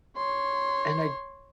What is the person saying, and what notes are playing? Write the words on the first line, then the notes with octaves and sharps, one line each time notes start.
And I
C#5 C6